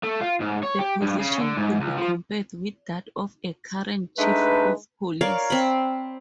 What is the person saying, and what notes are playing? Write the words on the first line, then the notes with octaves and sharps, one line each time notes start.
The position could be compared with that of a current Chief of police.
A3
F4
G#2
C#5
G4
G2
C#3
D3
G#2
C#2
F3
G#3 A3 D4 D#4 B4
A#4 C#5 D5 F5
C4 B5